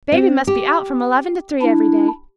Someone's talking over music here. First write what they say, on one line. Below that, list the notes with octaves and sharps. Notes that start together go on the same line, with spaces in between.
Baby must be out from eleven to three every day.
C4
G4
D4 E4